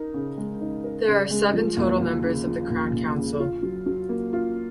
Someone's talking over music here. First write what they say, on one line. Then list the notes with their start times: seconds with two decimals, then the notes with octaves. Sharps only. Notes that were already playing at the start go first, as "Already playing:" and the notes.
There are seven total members of the Crown Council.
Already playing: D#4 A#4
0.14 C#3
0.38 G#3
0.61 D#4
0.84 A#4
1.08 C#3
1.31 G#3
1.53 F3
1.77 D#2
2.01 D#2
2.23 C#3
2.47 F3
2.70 D#2
2.94 D#2
3.17 C#3
3.40 F4
3.63 F#3
3.86 F#3
4.09 A#3
4.33 F4